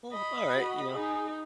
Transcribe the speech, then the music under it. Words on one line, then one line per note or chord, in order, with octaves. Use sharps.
Well, alright. You know?
D#5 B5
F#4
D#4 G#4